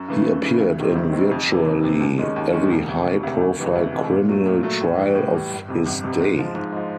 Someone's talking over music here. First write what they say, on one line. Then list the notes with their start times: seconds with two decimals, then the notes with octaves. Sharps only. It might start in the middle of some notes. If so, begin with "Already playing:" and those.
He appeared in virtually every high-profile criminal trial of his day.
Already playing: F#2
0.08 C#3 E3 A3
0.26 F#2
0.43 C#3 E3 A3
0.60 D2
0.78 C3 D#3 G3 C4
0.95 D2
1.13 C3 D#3 G3 C4
1.31 F2
1.49 C3 E3
1.66 F2
1.83 C3 E3
2.00 D#2
2.18 D#3 G#3 C#4
2.36 D#2
2.53 D#3 G#3 C#4
2.71 E1
2.88 D2 C3
3.05 E1
3.23 D2 C3
3.41 D2
3.59 C3 E3 G#3
3.75 D2
3.93 C3 E3 G#3
4.11 A#2
4.29 F#3 A3
4.46 A#2
4.63 F#3 A3
4.80 A2
4.98 E3 G3
5.15 A2
5.32 E3 G3
5.51 G1
5.68 F2 C3
5.86 G1
6.04 F2 C3
6.20 G#2
6.38 F3 G#3
6.55 G#2
6.72 F3 G#3